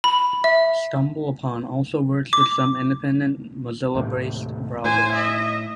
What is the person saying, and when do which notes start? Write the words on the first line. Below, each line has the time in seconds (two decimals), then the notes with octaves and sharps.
StumbleUpon also works with some independent Mozilla-based browsers.
0.04 B5
0.44 E5
2.33 D6
3.95 D#2 A2 C3
4.84 A2 C5 G#5
5.13 D#5 E5